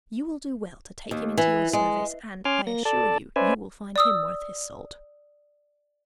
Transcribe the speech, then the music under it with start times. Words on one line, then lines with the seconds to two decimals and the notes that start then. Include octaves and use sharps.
You will do well to take him into your service, and, I assure you, you will find him worth his salt.'
1.11 D#2
1.37 E3
1.73 G#3
2.45 C#4 G#5 C6 D6 F6
2.67 A#3 A#6
2.85 A4 D5 A5
3.36 C#4 B4 C5 D5 E5 G#5
3.96 D5 D#6 E6